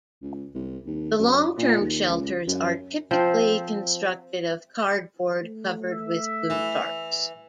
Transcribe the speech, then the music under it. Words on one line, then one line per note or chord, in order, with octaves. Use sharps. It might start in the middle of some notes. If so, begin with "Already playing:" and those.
The long-term shelters are typically constructed of cardboard covered with blue tarps.
C#2
C2
D#2
F#2
A#2
D#2
C#2
F#2
F3 C4 C5
A3
E5
E3